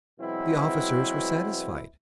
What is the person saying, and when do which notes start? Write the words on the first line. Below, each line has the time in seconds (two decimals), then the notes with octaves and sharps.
The officers were satisfied.
0.20 B2 E3 F#3 G#3 C4 E4